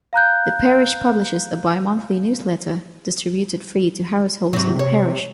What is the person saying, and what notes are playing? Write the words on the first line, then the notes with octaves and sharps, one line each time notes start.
The parish publishes a bi-monthly newsletter distributed free to households in the parish.
F5 A#5 F#6 G6
G#2 C3 F#3
C#5